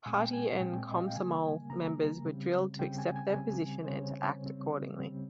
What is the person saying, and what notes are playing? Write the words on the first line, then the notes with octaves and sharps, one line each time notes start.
Party and Komsomol members were drilled to accept that position, and to act accordingly.
A#2 G#3 C4 G#5
G5
G#5
A#2 G#3 C4 G5
D#5
F5
G5
C#3 G3 A#3 G#5
C#3 G3 A#3 A#5
C#3 G3 C4
C#3 G3 C4 G5
G#5
G#5
C#3 G3 C4 G#5
C5
C#3 G3 C4 C#5
C#3 G3 C4
C#3 G3 C4